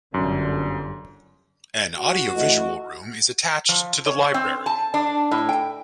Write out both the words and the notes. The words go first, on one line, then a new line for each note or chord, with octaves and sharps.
An "Audio Visual Room" is attached to the library.
G1 F#2 D3
F#4
E3 A3 D#5
F3
C#5
C4
A5
D4
A2
G5